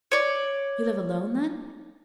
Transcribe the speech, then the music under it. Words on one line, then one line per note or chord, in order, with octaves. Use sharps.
"You live alone, then?"
C#5 D5